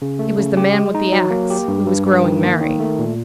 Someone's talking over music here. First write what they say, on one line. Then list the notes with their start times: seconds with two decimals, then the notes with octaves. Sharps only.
It was the man with the axe, who was growing merry.
0.02 C#3
0.19 A3
0.38 C#3
0.57 G4
0.75 G#3
0.95 D#4
1.12 F#3
1.31 A#3
1.50 G4
1.68 G2
1.86 G2
2.06 G2
2.24 D#3
2.43 A#3
2.61 D#3
2.80 A3
2.99 A#2